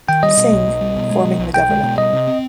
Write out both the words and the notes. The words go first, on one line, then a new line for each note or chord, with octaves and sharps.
Singh, forming the government.
D#3 G5
G3 D#5
B2
B1
B1
G3
B2
G#3
B2
B1
B1 G5
G#3
B2
G3 D#5
C3
C4